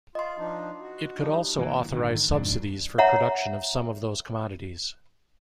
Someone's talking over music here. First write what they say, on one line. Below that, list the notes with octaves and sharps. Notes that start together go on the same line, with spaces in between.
It could also authorize subsidies for production of some of those commodities.
F4 D#5 C6
F3 D4 D#4
F#4
F3 G3 D#4
G1 E3 A#3
G#1 D3 D#3
F2 G#2 G#3 D4
C#5 E5 F#5 A#5